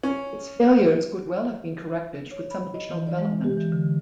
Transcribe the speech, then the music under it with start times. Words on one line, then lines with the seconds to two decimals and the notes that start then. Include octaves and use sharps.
Its failures could well have been corrected with some additional development.
0.03 C#4
2.31 C#5
2.51 B5
2.74 D#5
2.89 E3
3.07 D5
3.18 G#3
3.44 G4
3.57 E3
3.72 D3